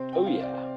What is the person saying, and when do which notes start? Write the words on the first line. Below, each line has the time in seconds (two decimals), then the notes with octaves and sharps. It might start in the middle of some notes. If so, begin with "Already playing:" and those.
Oh, yeah,
Already playing: C3 C4 C5
0.13 G5
0.26 C3 F5
0.40 D5
0.54 C5